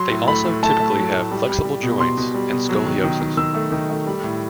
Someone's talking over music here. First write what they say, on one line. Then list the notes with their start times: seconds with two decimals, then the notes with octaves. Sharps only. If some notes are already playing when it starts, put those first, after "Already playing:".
They also typically have flexible joints and scoliosis.
Already playing: F#3 C6
0.11 A2
0.27 A3 B5
0.45 A2
0.63 A3 A5
0.80 A3
0.96 F#3
1.13 A2
1.31 G3
1.49 G3
1.65 G3
1.83 B2
2.00 B2 C6
2.18 B2
2.35 G3
2.52 B2
2.69 F#3
2.86 D#3
3.04 D#3
3.21 D#3
3.37 D#3 E6
3.55 A3
3.72 D#3
3.90 A3
4.07 G3
4.24 A2